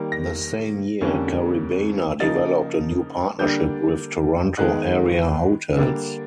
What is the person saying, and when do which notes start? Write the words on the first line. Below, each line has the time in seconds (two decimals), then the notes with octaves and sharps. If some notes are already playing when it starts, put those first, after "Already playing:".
The same year, Caribana developed a new partnership with Toronto-area hotels.
Already playing: D#3 G3 A#3
0.12 A#6
1.01 F2 D3 G3 A#3 C#4
2.20 C#3 F3 A#3 D#4 A6
3.39 D3 G3 A#3 D4 G6
4.57 D#3 G#3 B3 D#4 F#6
5.76 D3 G3 A#3 D4